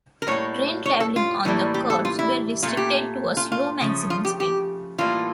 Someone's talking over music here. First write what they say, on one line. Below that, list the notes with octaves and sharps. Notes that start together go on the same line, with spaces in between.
Train travelling on the curves were restricted to a slow maximum speed.
A#4
A2 G3 A#3 C#5
C#5
A4
F4
A2 E3 G3 A#3
G4
A4
F4
E4
A#2 A3 F4
G4
F4
F4
C#3 F3 A3
F4
G4
G4
A2 E3 G3 A#3 F4